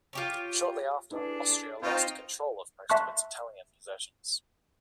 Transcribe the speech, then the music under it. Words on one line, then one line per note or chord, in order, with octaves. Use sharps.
Shortly after, Austria lost control of most of its Italian possessions.
F4 G4 C#5
D4 E4 G#4 A4 B4
C4 D#4 F4 A#5 C#6 G6
E5 A5 C6 C#6 F#6